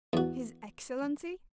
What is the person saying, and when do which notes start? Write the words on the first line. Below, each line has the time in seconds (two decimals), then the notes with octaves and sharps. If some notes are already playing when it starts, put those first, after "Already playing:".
'His excellency!
0.13 E2 F#4